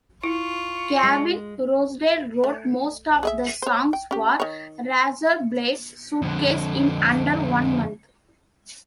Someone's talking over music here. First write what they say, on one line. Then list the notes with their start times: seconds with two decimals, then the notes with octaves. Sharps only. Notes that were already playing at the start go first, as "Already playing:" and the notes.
Gavin Rossdale wrote most of the songs for "Razorblade Suitcase" in under one month.
0.24 E4 F4 C#6
1.03 G#3
2.44 A3
3.23 G#4 D#5 E5
3.62 C5 C#5
3.93 G5
4.11 C#4 G4
4.40 D#3 C#5
6.22 F2 D3